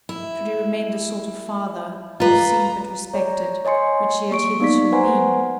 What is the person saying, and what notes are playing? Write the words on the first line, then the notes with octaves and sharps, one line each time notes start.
Should he remain the sort of father, half seen but respected, which he had hitherto been?
E4
F4 B4 A#5
C#5 D5 A#5
C#5 D#5 G#5 C6 C#7
A#3 C#6 D7
B3 D#4 D5 C#6 B6
B4 C5 F#5 G#5 A#5 C6